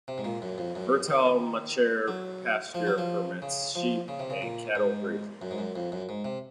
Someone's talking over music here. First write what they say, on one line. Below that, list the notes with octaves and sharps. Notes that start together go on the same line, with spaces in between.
Fertile machair pasture permits sheep and cattle grazing.
C3
G#2
A#2
F#2
F2
F#2
D#3
F#3
F3
F#3
F3
C#3
F3
C#3
C3
C#3
A#2
G#2
F#2
G#2
F#2
F2
F#2
G#2
C3